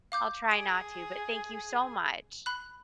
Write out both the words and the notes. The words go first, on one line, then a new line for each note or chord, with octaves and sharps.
I'll try not to, but thank you so much.
F5 D6 G6
G#4 D7
B5 F#6